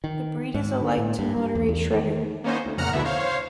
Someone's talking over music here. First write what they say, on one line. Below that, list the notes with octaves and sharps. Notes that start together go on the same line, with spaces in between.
The breed is a light to moderate shedder.
D#3
G#2
D3
A2
G2
G2
E2
E2
D#3
A#3 B3 C#4 D#4 C5
D2
F2 A#2 C#3 F#5 A#5 F6
D2 B2 D3 B3 E4 E5
C5 C#5 F5